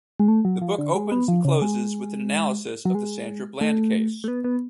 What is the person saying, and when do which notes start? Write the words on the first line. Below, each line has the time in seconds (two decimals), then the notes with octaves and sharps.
The book opens and closes with an analysis of the Sandra Bland case.
0.19 G#3
0.28 A3
0.45 F#3
0.62 F3
0.78 D3
0.95 G#3
1.12 B3
1.28 F3
1.45 C#3
1.62 G#3
2.85 F#3
2.95 G#3
3.61 A3
4.24 A3
4.28 B3
4.44 B3